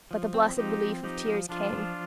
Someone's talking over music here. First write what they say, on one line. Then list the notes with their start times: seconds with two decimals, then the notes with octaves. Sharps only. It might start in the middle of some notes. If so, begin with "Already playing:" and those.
But the blessed relief of tears came.
0.11 F3
0.34 C4
0.56 F3 D#4 G4
0.80 C4
1.03 F3 D#4 G4
1.26 F3
1.49 F3 D4 F4
1.73 F3